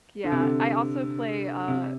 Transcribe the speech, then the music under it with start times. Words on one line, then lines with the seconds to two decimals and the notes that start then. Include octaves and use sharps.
Yeah, I also play, uh,
0.24 D3
0.32 C3
0.39 D3
1.68 C3